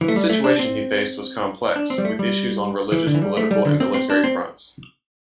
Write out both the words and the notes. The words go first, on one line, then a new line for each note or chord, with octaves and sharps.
The situation he faced was complex, with issues on religious, political and military fronts.
E3
A3
G3
A3
D4
C4
D4
C4
G3
A3
G3
E3
D3
E3
G3
A3
G3
D3
C4
C4
D4
C4